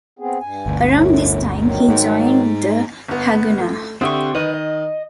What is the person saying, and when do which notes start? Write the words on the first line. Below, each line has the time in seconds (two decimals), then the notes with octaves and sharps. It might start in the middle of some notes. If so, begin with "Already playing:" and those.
Around this time, he joined the Haganah.
0.19 B3 C4 G#4
0.40 G2 G#5
0.66 G1 D2
0.88 F#2 A2
1.62 D#3 F#3
1.89 G#2
3.08 G1 B3
3.60 A3
4.01 D3 C4 G4 E5 C#6 D#6
4.35 D#3 B4 D#5
4.54 D#5